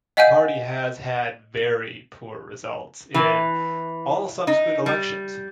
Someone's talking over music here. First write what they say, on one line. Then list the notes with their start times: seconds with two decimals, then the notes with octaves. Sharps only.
The party has had very poor results in all subsequent elections.
0.17 D#5 F5 F#5 G#5 G6 D#7
3.14 E3
4.47 D#4
4.86 G3